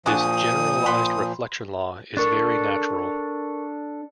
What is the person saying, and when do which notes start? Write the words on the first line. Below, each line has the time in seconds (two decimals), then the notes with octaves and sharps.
This generalized reflection law is very natural.
0.06 A#2 F3 D4 F#4 G#4 D#6
0.86 F#5 B5 C6
2.17 D4 A4 A#4 C#6 A6